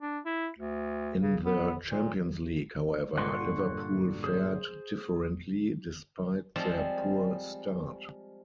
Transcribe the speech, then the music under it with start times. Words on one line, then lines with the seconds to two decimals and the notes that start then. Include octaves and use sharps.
In the Champions League, however, Liverpool fared differently, despite their poor start.
0.01 D4
0.26 E4
0.59 D2
1.22 C#3
1.45 B3
1.90 A#2
3.18 G2 A#2 D3 F#5 C6 C#6
4.24 G#4 C5
6.56 F3 G3 G#3 C4